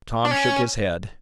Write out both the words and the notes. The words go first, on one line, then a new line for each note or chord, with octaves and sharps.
Tom shook his head.
D4
C#4